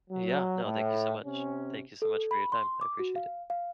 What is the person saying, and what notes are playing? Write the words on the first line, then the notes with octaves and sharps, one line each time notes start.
Yeah. No. Thank you so much. Thank you so much for your time. I appreciate it.
F#3
A2
C3 C#4
A4
B5
C6
D6
F#4
F5
F5